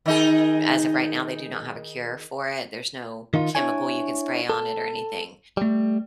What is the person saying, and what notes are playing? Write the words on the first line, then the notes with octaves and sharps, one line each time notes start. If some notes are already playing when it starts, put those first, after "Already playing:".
as of right now, they do not have a cure for it, there's no chemical you can spray on it or anything.
D#3 D#4 G#4
D#3 D#4 F4
D4 E4 C#5 G#5
A4
G3 A3